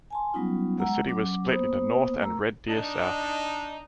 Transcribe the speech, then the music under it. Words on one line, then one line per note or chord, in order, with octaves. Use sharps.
The city was split into North and Red Deer-South.
G#5 A5 C6
F#3 G3 B3 C#4 D#4 F4
G#3 F#5 A#5 E6
F#3 C#4 D6
A#3 B3 C5 D#6
A3 A#4 A#5 E6
D4 D#4